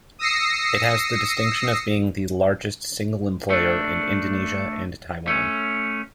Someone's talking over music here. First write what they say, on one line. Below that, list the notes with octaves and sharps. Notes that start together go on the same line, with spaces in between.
It has the distinction of being the largest single employer in Indonesia and Taiwan.
D#6 E6 A#6 C7 C#7
A3 D4
A3 C#4